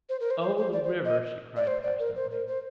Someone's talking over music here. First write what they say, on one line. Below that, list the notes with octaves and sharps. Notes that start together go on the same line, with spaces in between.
'Oh, the river!' she cried passionately.
C5
A#4
C5
C5
C5
D5
C5
D#5
D5
C5
D5
A#4
C5
A#4
C5